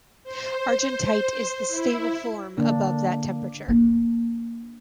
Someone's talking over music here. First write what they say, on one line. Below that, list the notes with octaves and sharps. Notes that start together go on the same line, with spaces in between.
Argentite is the stable form above that temperature.
C5
E4
D3 A#3 D4
A#3 D4